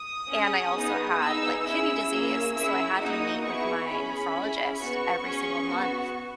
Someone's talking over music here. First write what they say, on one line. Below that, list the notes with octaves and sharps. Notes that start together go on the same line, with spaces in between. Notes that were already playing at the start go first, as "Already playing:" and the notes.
And I also had, like, kidney disease, so I had to meet with my nephrologist every single month.
Already playing: D#6
C#4 G#4
B3 D#4 G#4
B3 D#4 G#4 E6
C#4 E4 G#4 E6
A#3 C#4 G#4
C#4 E4 G#4 E6
A#3 D#4 F#4 D#6
B3 E4 G#4 C#6
C#4 G#4 B5
C#4 E4 G#4
B3 F#4 C#6
C#4 G#4
B3 F#4